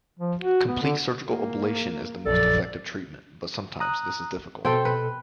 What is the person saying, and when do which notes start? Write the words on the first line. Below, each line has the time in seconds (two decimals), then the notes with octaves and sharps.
Complete surgical ablation is the most effective treatment, but sometimes this is difficult.
0.19 F3
0.40 F#4
0.68 B3
0.82 D3
1.28 A#3
2.25 A#1 F#2 A4 D5
3.80 A#5 D#6 F#6
4.65 B2 C4 A4 G5
4.85 B4